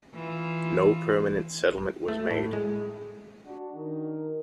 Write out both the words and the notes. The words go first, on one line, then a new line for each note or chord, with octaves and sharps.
No permanent settlement was made.
E3 F4
A3
A2
G#3
D4 F#4
D#3 D#4 A#4